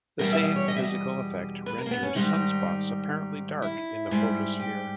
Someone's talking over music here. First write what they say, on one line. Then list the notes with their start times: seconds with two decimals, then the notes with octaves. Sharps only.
The same physical effect renders sunspots apparently dark in the photosphere.
0.19 E2 B2 G3 A#4
0.32 E5
0.44 D#5
0.56 C#5
0.68 D#5
0.76 E5
0.83 D#5
1.66 B4
1.78 A#4
1.86 A#3
1.91 B3
2.03 C#4
2.15 G#2 D#3 G3 D#4
3.62 E4
4.11 G#2 G3
4.60 G4